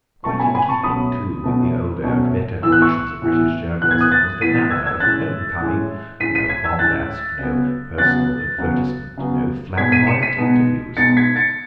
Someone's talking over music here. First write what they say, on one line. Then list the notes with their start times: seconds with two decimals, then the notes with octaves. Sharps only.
Quite in keeping, too, with the older and better traditions of British journalism was the manner of the home-coming; no bombast, no personal advertisement, no flamboyant interviews.
0.24 B2 F#3 A3 C#4 A5 C#6
0.40 G#5 B5
0.55 G#5 B5
0.68 A5 C#6
0.83 B2 F#3 A3 C#4 B5 D#6
1.44 B2 F#3 A3 C#4
2.03 B2 F#3 A3 C#4
2.62 A2 E3 B3 E6
2.72 F#6
2.82 C#6 E6
3.22 A2 E3 B3
3.82 A2 E3 B3 F#6
3.91 G#6
4.00 D#6 F#6
4.11 F#6 A6
4.41 A2 E3 B3 B6 D#7
4.71 E6 G#6
4.86 E6 G#6
5.00 A2 G#3 C#4 F#6 A6
5.60 A2 G#3 C#4
6.20 A2 G#3 C#4 B6 D#7
6.35 B6 D#7
6.49 G#6 B6
6.64 E6 G#6
6.79 A2 G#3 C#4 F#6 A6
7.39 C#3 F#3 B3
7.98 C#3 F#3 B3 F#6 A6
8.58 C#3 F#3 B3
9.17 C#3 F#3 B3
9.77 B2 G#3 B3 D#4 G#6 B6
9.92 B6 D#7
10.07 C#7 E7
10.22 B6 D#7
10.37 B2 G#3 B3 D#4
10.97 B2 G#3 B3 D#4 A6 C#7
11.17 G#6 B6
11.36 A6 C#7